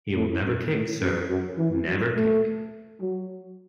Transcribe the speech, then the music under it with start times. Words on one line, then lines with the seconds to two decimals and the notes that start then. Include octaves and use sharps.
He will never kick, sir, never kick.
0.16 A2
0.43 F#2
0.72 A2
1.01 F#2
1.29 F#2
1.58 E3
1.87 F#3
2.16 A3
3.01 F#3